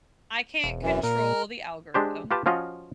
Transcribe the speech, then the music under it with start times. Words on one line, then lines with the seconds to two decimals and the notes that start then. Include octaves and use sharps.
I can't control the algorithm,
0.64 E1
0.83 F#2 E3
1.03 A#2 A#4
1.94 G#3 D4 G4 C5
2.31 F4 G4 B4 A5
2.46 F3 C#4 F4 F#4 D#5